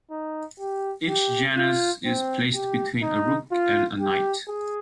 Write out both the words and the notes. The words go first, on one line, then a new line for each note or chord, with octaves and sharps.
Each janus is placed between a rook and a knight.
D#4
G4
G4
F4
C4
G4
D#4
F4
G4
G#4